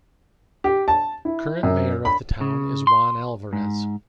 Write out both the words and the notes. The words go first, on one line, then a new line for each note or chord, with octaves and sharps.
Current mayor of the town is Juan Alvarez.
G4
A5
E4
F#2
B5
C#3
C6
G#2